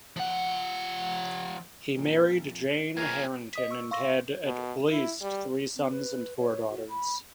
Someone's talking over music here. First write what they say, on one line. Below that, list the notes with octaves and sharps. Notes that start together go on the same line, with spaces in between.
He married Jane Harrington and had at least three sons and four daughters.
F3 F#5
F2 A#2
F#2 A#3 F4 G#4 A#4 C#5 G#6
D#5 D#6 B6
C#6 E6
F5 C6 C#6 E6 A#6
B2
E4
G3
C4
B4
C#5
F#4
B5